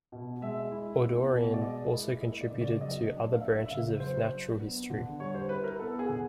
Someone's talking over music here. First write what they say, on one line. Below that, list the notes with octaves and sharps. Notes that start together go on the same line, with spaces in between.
Audouin also contributed to other branches of natural history.
B2
G#3 E5
E4
B3
B2
D5
G#3 D#5
E4
A#3 D#5
D5
C#3
D5
F#3 D#5
D4
F5
A#3 E5
E5
C#3 F5
F#3 C5
D4
B3
D3
G3 C#5
C5
E4 B4
A#4
B3 A4
G#4
D3